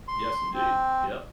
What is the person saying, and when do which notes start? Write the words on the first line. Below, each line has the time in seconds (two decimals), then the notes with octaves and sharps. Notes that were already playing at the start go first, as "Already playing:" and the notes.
Yes, indeed, yep.
0.08 C6
0.54 C4